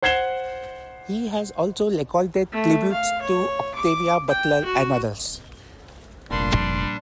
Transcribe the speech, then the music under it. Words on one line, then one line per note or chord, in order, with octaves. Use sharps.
He has also recorded tributes to Octavia Butler and others.
C5 F#5 G#6 C7 E7 G7
A3
F5
C#5
D6
G5
F#4
F1 A#1 G3 A#3 D4 C6